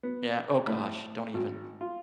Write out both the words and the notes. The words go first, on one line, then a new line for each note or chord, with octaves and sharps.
yeah, oh gosh, don't even.
B3
A2
G#1
F4